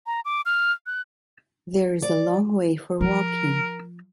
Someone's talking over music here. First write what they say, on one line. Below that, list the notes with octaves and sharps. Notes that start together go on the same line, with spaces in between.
There is a long way for walking.
A#5
D6
F6
F#6
D5
F3 F4 A#4